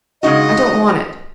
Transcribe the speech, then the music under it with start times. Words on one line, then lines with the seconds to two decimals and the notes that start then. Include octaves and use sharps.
I don't want it.
0.22 C#3 G#3 D#4 F#4 D#5